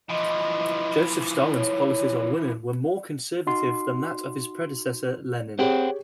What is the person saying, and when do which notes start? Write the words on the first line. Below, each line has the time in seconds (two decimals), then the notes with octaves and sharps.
Joseph Stalin's policies on women were more conservative than that of his predecessor Lenin.
0.09 E3 F3 D#5
1.53 C#5
3.47 D#4 F#4 C6
5.59 C4 G4 G#4 C5 C#5 F#5 G5